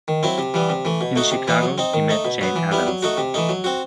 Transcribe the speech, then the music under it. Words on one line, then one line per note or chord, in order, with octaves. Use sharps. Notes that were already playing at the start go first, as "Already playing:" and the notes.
In Chicago he met Jane Addams.
D#3
F#3 C4 E4
C3
E3 G3 B3
C3
E3 A3
B2
A3 D#4 F#4
C3
E3 B3 D#4
F#3
C4 D#4
D#3
A3 D#4
B2
F#3 B3
E3
G3 B3 E4
F#3
A3 D#4 F#4
C3
E3 A3 D#4
F#3
C4 F#4